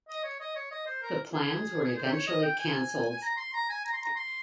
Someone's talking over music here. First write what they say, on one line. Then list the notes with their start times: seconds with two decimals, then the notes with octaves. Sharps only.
The plans were eventually cancelled.
0.09 D#5
0.24 C#5
0.40 D#5
0.56 C#5
0.71 D#5
0.87 C5
1.02 A#4
1.33 G#4
1.97 C5
2.12 C#5
2.27 D#5
2.43 G5
2.59 G#5
3.22 A#5
3.37 C6
3.53 A#5
3.69 G#5
3.85 A#5
3.93 C6
4.02 A#5
4.16 C6